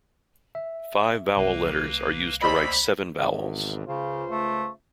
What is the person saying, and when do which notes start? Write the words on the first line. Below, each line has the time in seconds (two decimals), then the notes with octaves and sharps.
Five vowel letters are used to write seven vowels.
0.55 E5
1.37 C2 A#3 B4
2.42 D2 A#3 C5 D5 D#5 B5 E6
3.19 G#1 E2
3.87 C#2 C#3 F4 C5
4.30 A3